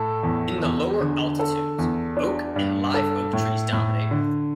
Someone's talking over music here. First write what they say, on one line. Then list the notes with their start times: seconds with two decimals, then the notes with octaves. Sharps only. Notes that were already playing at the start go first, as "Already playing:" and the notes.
In the lower altitudes, oak and live oak trees dominate.
Already playing: A2 A4
0.23 E2
0.62 E2
1.00 D3
1.39 A4
1.78 E2
2.17 D4
2.56 G2
2.94 A4
3.33 A2
3.72 A2
4.11 D3